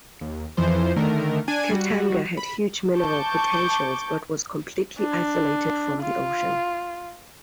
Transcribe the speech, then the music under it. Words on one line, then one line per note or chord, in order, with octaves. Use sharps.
Katanga had huge mineral potential but was completely isolated from the ocean.
D#2
F2 E3 F3 C5
D3 D#3 A3 A#4
D4 G#5 G#6 D#7
G3 F#4
B5
A5 C#6 D6 G6
D4
F4